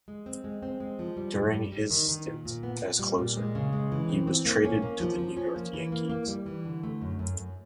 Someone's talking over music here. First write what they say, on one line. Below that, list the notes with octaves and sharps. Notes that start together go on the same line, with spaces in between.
During his stint as closer, he was traded to the New York Yankees.
G#3
C4
G#3
C4
G#3
F3
G3
G2
G3
G3
D#3
D#3
A#2
A#2
B3
A#2
G3
A#2
G#3
C#3
G#3
E3
C4
C4
A#3
C#4
A#3
F3
F3
C#4
A#3
E3
A#3
A#3
G3
E3
D3
A3
F#2
F#2
F#2